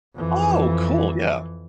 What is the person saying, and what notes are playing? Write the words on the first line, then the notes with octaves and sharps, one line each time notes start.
Oh, cool, yeah.
F2 E3